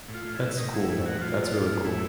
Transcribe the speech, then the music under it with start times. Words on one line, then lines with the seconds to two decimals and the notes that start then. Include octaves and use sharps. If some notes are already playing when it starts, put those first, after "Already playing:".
That's cool, man. That's really cool.
0.08 A2
0.14 F4
0.25 A2
0.35 E4
0.41 A2
0.57 A2 D#4
0.73 A2 E4
0.89 A2 E4
1.05 A2 F#4
1.21 A2 F4
1.38 A2
1.53 A2
1.70 A2
1.85 A2 E4